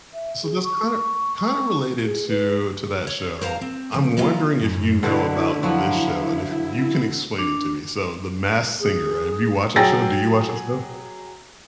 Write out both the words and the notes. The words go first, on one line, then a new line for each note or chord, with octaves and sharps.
So, this kinda kinda related to to that show, I'm wondering if you know about this show, and if you can explain it to me, so, The Masked Singer, have you watched that show do you watch that show?
E5
G#4
C#6
C#6
G#4
B4
C#5
A#4 C5 F5 A#5
C4
F3 A3
F#3 A#3 E4 F4
F#2
B2 D3 E4
F3 F#3
D4
G#4
F#3 G#4 G5 E6 A6 A#6